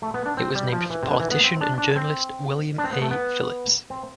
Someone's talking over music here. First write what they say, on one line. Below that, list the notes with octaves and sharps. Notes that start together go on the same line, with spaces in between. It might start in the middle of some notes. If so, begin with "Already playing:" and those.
It was named for politician and journalist William A. Phillips.
A3
B3
D4
C4
G3
F3
E3
C3
D3
E3
B3
C4
D4
D4
C4
D4
C4
B3
A3
B3
C4